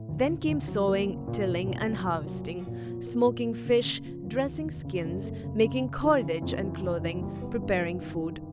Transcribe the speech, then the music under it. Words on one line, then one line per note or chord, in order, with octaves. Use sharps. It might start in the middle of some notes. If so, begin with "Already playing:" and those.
Then came sowing, tilling, and harvesting, smoking fish, dressing skins, making cordage and clothing, preparing food.
Already playing: A2
D2
C#3
D2
F#3
A#3
C#3
A#2
C2
C2
F#3
C2
F#3
F3
A#2
F3
A#3
A#2
A#3
C#3
C#3
F3
D#2
D#2
F1
C#3
F#2
A3
C#3
C#3
C#3
E3
C#3
F2
E3
F#1
E3
G3
B3
G2
G2
D#3
D#3